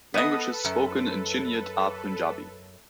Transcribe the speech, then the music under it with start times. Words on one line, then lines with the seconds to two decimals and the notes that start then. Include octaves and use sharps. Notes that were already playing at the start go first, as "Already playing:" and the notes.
Languages spoken in Chiniot are Punjabi.
0.14 B3 A4 B4 D#5
0.65 F#2